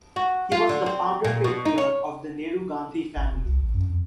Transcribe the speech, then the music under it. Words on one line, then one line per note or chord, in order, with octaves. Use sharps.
He was the founder patriarch of the Nehru-Gandhi family.
F#4
F4
D3
C4
A#2
B2
D#4
C#5
G#1
E1
C2
A1
F#2
F2